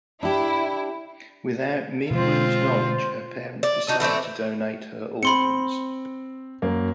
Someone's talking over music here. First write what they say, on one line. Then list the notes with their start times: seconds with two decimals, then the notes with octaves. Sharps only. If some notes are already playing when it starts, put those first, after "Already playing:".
Without Min-woo's knowledge, her parents decide to donate her organs.
0.23 D4 E4 G4
2.11 B2 D3 G#3 B3 C4 F4 C5
3.63 D5
3.88 D4 D#4 F#4
4.00 E3 A3 C4 D4
5.23 C4 B5 C6 C#7
6.62 F#2 A#3